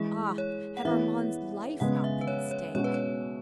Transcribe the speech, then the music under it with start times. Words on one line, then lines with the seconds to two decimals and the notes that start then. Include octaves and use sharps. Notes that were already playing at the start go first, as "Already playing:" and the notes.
Ah! had Armand's life not been at stake! . . .
Already playing: E3 G#3 E4 G#4
0.38 C#5
0.77 F#5
0.85 E3 B3 E4 E5
1.80 C#3 G#3 B3 F#5
2.04 E5
2.21 B4
2.28 C#5
2.51 C#5
2.75 B2 G#3 C#4 F#4 C#5
2.84 B4
2.94 C#5